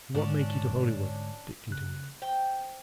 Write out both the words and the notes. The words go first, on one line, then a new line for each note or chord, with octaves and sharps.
"And what make ye to Holywood?" Dick continued.
G#2 D3 G#3 C#4 D4
C#3 F#6
C5 G5